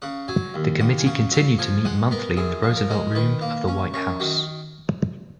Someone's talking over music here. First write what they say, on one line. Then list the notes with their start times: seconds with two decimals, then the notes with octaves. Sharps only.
The committee continued to meet monthly in the Roosevelt Room of the White House.
0.02 C#3 F#5
0.28 F#3 G#5
0.54 D#2
0.81 D#2 F#5
0.98 G#5
1.06 C#3 F#5
1.32 F#3 F5
1.58 F3 G#5
1.85 G#3 F#5
2.11 B3 A#4
2.37 F#2 G#4
2.63 F3
2.76 A#4
2.90 G#3
3.15 D#3 B4
3.41 A#3
3.68 C#4
3.94 F#2 C#5
4.20 D#3 F#4